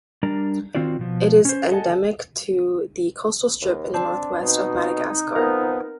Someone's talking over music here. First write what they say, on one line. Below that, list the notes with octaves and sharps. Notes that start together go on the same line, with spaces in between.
It is endemic to the coastal strip in the northwest of Madagascar.
G3 D4 A#4 D5 A#5
D#3 C4 F4 F#4 D5
B2 F3
C#4 C5
A4 D#5 F#5 G#5 A5
D#2
C4 D4 A5
B2 D#4
F3 B3 A#4